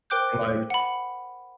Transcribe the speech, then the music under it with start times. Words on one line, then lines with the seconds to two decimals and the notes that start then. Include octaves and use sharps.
and, like,
0.10 A#4 C5 G5 D6 F#6 G6
0.70 F#5 B5